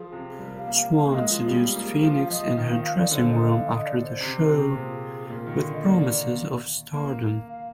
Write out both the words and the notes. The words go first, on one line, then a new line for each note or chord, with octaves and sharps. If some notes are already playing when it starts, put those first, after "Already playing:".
Swan seduces Phoenix in her dressing room after the show with promises of stardom.
Already playing: F3 G#4
C3
G3 A#4
F5
A#3
F5
F5
A#3
G#3 D#5
F3 F4
G3
G4
A#3
G#4
F3 F5
F5
F3 D#5
D#3
F5
F5
D5
D3 C5
D#5
F5
D#5
D5
C5
C3
C3
A#4
A#2 G#4
A#2 A#4
D#3
D3
D#5
A#3 D5
A#3
F5